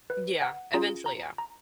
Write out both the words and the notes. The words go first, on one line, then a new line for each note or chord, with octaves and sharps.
Yeah, eventually, yeah.
B4
F#5
C#4 F4 G#4 A#5
A#5
A#5